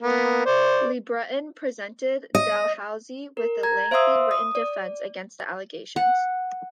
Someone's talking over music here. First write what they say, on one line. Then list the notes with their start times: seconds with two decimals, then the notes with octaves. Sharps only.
LeBreton presented Dalhousie with a lengthy written defence against the allegations.
0.02 A#3 B3
0.46 C5 D5
2.35 D#5
3.37 A#4
3.63 A#5 G#6
3.91 C5 E5 F5 C6 D#6 E6
4.31 D#6
4.55 D5
5.96 F#5